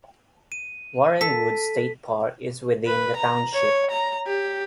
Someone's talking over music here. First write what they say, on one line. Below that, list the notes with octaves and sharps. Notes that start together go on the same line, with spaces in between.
Warren Woods State Park is within the township.
D#7
A4 B6
B4
A#5
C#5
A#5
G4